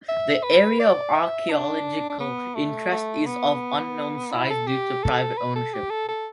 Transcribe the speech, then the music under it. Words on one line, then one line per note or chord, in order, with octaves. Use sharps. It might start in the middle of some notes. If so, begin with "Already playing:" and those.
The area of archeological interest is of unknown size due to private ownership.
E5
B4
D5
E5
D4
D4
B3
A3
A3
B3
E4
A4
G4
A4
B4
A4
G4
A4
A4